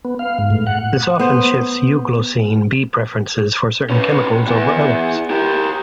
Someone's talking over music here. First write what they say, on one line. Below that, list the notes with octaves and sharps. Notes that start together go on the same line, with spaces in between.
This often shifts euglossine bee preferences for certain chemicals over others.
B3
F5
G#2
A2
F#5
B3 C5
C#4 B4
E3 B3
G4 A#4